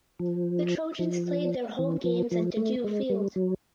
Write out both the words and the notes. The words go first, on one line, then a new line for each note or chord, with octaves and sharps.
The Trojans played their home games at Dedeaux Field.
F3
F3
E3
F3
F3
A3
G#3
G3
F#3